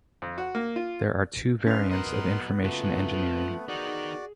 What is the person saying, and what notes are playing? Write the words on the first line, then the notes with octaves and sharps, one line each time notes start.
There are two variants of information engineering.
F2
F#4
A#3
F4
C#4 D#4 B4 F5 C6 F6
F#3 B3 A#4 D#5 C6 D#6
C#3 A3 F4 F#4 B4
F3
D#4 F#4 G#4 A#4 D5